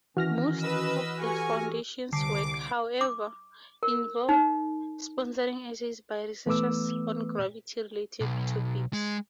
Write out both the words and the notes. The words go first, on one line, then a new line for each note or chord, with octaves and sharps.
Most of the foundation's work, however, involved sponsoring essays by researchers on gravity-related topics.
D#3 E3 C#4 F#4 F6 A#6
B4 D#5 E6
G4 A4 G#5 C#6
C2 D3 D6 C7
D6
A#4
D#4
E3 A3 B3 B4 D6 E6
B1
G#3